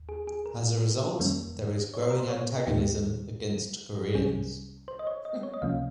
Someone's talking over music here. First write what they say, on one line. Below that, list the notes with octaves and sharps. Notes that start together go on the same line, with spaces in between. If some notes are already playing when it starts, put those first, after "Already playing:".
As a result, there is growing antagonism against Koreans.
Already playing: D#2
G#4
G#4
A#4
F2 D#3 G3 A#3 C#4
C#5
C5
A#4
C5
C#5
D#2 D#3 A#3 D#4 G4
C2 C3 G3 C#4 G#4
C5
D#5
C#5
D#5
C#5
D#5
C#2 C3 F3 A#3 C#4 F5